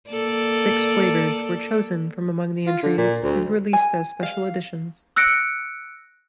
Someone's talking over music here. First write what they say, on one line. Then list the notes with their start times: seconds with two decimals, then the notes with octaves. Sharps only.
Six flavors were chosen from among the entries and released as special editions.
0.10 A#3 A4 D5
2.66 F4
2.83 D3
2.97 A#2
3.23 D2
3.73 G#5
4.23 F5
5.16 E6 F#6 A#6 C#7 D7